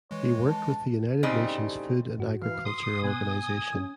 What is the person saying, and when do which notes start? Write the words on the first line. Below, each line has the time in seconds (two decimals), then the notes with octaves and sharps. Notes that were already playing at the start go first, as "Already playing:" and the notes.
He worked with the United Nations Food and Agriculture Organization.
0.11 E3 G#3 C#5
0.49 A5
1.23 A2 C#3 G3 C4 D#4
2.19 G2 F#4
2.42 E3 F5
2.65 C6 D#6
3.03 B2 B3 G#5 F#6
3.73 C#4 D#6